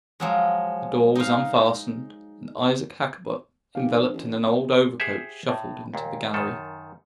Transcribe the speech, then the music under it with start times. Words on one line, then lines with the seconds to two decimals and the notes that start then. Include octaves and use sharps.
The door was unfastened, and Isaac Hakkabut, enveloped in an old overcoat, shuffled into the gallery.
0.20 F3 F#3 G#3
1.15 D#4 F5
3.75 F1 G4 F5
3.94 D3
4.14 A1
4.43 F#1 G5
5.00 G4 G#4 C5 E5 F#5
5.49 A2
5.94 D#2 A#2
6.34 F#2 D#3 A4